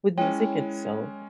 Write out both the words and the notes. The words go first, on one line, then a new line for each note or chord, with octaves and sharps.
with music itself,
G#3 C#4 E4 C#5 G5